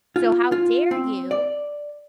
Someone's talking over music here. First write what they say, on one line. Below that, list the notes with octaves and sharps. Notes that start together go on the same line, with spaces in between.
So how dare you?"
F4
F4
C4
D5